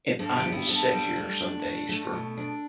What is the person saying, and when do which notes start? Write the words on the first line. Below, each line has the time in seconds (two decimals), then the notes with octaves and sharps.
and I will sit here some days, for
0.19 G2 A4
0.36 G4
0.43 B3
0.52 E4
0.68 G2 A4
0.92 G3
1.16 A2
1.41 D4
1.65 A2
1.89 A3
2.13 B2
2.37 D4